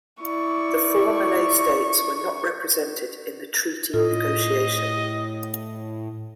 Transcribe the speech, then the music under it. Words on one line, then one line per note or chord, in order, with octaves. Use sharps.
The four Malay states were not represented in the treaty negotiation.
E4 D5 C#6
A2 F4 A4 D#5